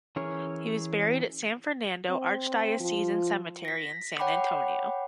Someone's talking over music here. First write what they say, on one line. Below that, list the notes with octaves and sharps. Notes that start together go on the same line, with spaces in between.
He was buried at San Fernando Archdiocesan Cemetery in San Antonio.
E3 C#4 G#4 A#4 C#5
C4
F3
A#6 B6
C#5 F#5 G5 B5 D6